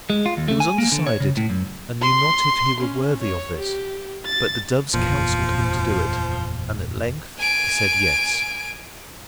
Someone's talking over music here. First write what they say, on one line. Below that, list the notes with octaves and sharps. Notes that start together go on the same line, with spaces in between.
He was undecided, and knew not if he were worthy of this, but the doves counselled him to do it, and at length he said yes.
G#3
F4
D#2
A3
G#5
A#3
D3
C#5
C#3
A2
F#2
C6
C#4
C#5
G4
A6
F#1 E2 A#2 F3
G#5 D7